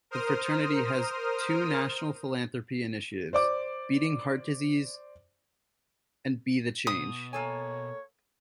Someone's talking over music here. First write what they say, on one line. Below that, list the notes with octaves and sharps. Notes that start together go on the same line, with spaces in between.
The fraternity has two national philanthropy initiatives: Beating Heart Disease and Be the Change.
A#4 C5 D#6 F6
C5 D5 D6
B2 D#6
A#3 A4 C#5 G#5